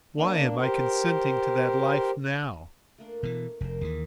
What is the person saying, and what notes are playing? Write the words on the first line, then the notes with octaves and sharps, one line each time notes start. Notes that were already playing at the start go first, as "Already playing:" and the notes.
Why am I consenting to that life now?
A#3 D4
G4 A#4 C5
A3 A#3 D4
B2 E3
F1 A#4 C5
D#2 D#3 E3 G#4